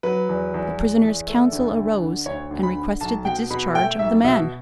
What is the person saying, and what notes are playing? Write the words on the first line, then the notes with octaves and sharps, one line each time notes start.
The prisoner's counsel arose and requested the discharge of the man.
F#3 B4
E2
E2
E2
E2
A3
D2
D2
D3
D2 C#5
D2
B5
D3
B1 A5
B2 G5
B2 B5
A3 G5
B1 E5
B2 E5